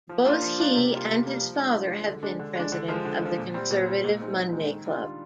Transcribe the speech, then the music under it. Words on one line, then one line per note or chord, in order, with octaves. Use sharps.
Both he and his father have been presidents of the Conservative Monday Club.
F3
A#3 D4 F4
F3
A#3 D4 F4
C3
G3 A#3 F4
C3
G3 A#3 F4
F3
G#3 D4 F4
F3
G#3 D4 F4
D3
G#3 D4
D3
G#3 D4
D3
F3 G#3
D3
F3 G#3
A#2
G3 C4
A#2
G3 C4
A#2
G#3 C4 D#4
A#2
G#3 C4 D#4
D#3
G3 D4 F4
D#3